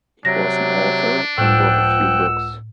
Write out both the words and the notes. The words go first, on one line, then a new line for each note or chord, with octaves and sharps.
He was an author and wrote a few books.
C3 F#3 D4 A#6
C#2 A2 F3 F#5 G5 E6 F#6